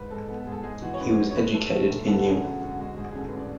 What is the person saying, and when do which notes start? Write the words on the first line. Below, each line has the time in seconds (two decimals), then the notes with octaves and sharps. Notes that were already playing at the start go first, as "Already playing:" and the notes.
He was educated in Lyon.
Already playing: G#2 B4
0.10 G#3 A4
0.28 B3 A4
0.40 A4
0.46 G#2 G#4
0.52 A4
0.63 G#3 G#4
0.82 E3 F#4
0.94 C#5
1.00 F#2 B4
1.17 G#3
1.31 C#5
1.35 A3 B4
1.54 A3 A4
1.72 A3
1.90 E1
2.07 D3 A4
2.18 F#4
2.25 F#2 G#4
2.44 F#2 F#4
2.61 D3 F#4
2.79 G#3 F#4
2.97 G#2 G#4
3.11 G#4
3.15 A1 A4
3.27 B4
3.33 A1
3.39 D5